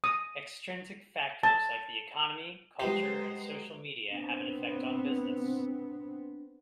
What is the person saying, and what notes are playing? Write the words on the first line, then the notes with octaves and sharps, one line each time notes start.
Extrinsic factors like the economy, culture and social media have an effect on business.
D#6
A5
F#3 G#3 G4 B4 C5 C7
B3 C4 D4